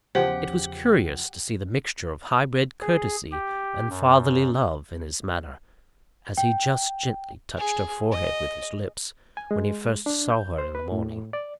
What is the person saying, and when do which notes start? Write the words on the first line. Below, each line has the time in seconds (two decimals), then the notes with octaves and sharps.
It was curious to see the mixture of high-bred courtesy and fatherly love in his manner, as he just gently touched her forehead with his lips, when he first saw her in the morning.
0.15 E2 C#3 F3 G4 C5 F#5
2.82 G#4
3.32 G4
3.90 F#2
6.37 G5
7.58 G#4
8.12 D#5
9.37 G#5
9.51 G#3
10.06 D4
10.30 G6
10.58 C5
10.75 B4
10.92 A2
11.33 D5